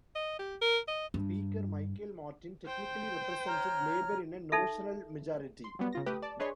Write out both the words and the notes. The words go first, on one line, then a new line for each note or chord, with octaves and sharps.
Speaker Michael Martin technically represented Labour in a notional majority.
D#5
G4
A#4
D#5
G2
C5 G5
C#5 A#5 F6
D#4 A4 E5
C6
F#3 G3 B3
C#3 F4 A#6
A3 G4 B4 D#6
D5 A5
D4 G#4 B4 C#5 D#5 C6